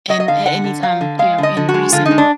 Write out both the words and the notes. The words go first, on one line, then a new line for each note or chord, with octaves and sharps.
an a any time, you know, in recent
F#3 D#5
D#5
D3 F5
D3 F#5
D3
F#3 F5
D3
G#3 F5
D3 D#5
D3
F#4
G#3
D3 F4
D#4
G#3
D4